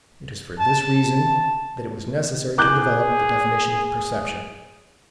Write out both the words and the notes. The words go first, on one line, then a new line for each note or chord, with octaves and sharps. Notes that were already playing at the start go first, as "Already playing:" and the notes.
It is for this reason that it was necessary to develop the definition of perception.
A5
G#4 D6 F#6 G6